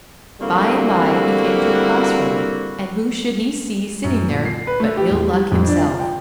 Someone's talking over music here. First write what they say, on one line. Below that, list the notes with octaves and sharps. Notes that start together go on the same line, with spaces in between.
By-and-by he came to a cross-road, and who should he see sitting there but Ill-Luck himself.
D3 G3 A#3 C4 E4 F#4
F#2
A#2
C7
B4
A3
G4
E2
G3
F2
D4
F4
G5